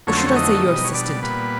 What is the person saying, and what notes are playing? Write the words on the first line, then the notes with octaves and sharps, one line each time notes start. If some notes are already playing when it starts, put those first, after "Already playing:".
Or should I say your assistant?
F2 D3 F#3 A3 C#4 C#5
C4 C5
C#4 C#5
D#4 D#5
B2 G3
C#5
D4 D5
A#2 G3 B3 B4